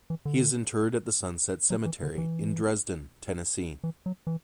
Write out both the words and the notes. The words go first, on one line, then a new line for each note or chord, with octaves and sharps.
He is interred at the Sunset Cemetery in Dresden, Tennessee.
E3
D3
F#3
E3
D3
E3
E3
F#3
E3